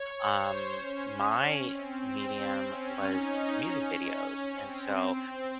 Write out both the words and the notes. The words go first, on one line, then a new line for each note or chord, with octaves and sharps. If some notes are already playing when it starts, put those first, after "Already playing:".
um, my medium was music videos. And so,
Already playing: C#5
C5
C#4
C4
C4
C#4
D#4
C#4
C4
C4